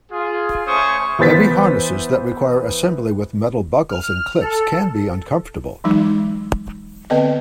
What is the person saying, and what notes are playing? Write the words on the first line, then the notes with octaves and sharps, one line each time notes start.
Heavy harnesses that require assembly with metal buckles and clips can be uncomfortable.
F4 G#4
A3 C#4 C5 G#5 C#6 D#6
E3 B3 C5 A6 B6
F6
A4
E3 F#3 G#3 D#4
D3 B3 C4 B4 D5 D#5